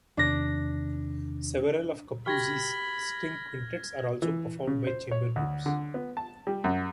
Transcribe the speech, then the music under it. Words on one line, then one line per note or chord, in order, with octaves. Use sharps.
Several of Capuzzi's string quintets are also performed by chamber groups.
E2 C3 D#3 D4 A#6
F#4 G4 G5 B5 F6 G#6 A#6
E3
C#3
C5
C#5
D2
D3
B3
A5
G3
F#2